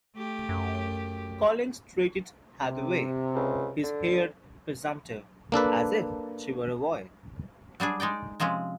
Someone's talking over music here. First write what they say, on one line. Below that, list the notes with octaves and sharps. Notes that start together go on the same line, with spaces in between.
Collings treated Hathaway, his heir presumptive, as if she were a boy.
A3 G4
F#2
C3
C#2
D3
A#3 D4 A4 B4
F#3 G3 D4 G#4
G#3 D#4 D5 G5
C3 F3 G#3 C4 C#4